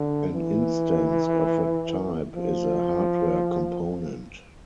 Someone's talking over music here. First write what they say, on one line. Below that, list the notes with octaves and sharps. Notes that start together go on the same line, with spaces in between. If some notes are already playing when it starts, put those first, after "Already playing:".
An instance of a type is a hardware component.
Already playing: D3
E3
F3